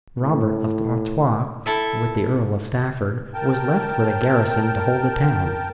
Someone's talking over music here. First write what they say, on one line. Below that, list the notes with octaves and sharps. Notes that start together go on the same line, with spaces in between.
Robert of Artois, with the Earl of Stafford, was left with a garrison to hold the town.
A2
E4 A4 E5
A#4 G5 A5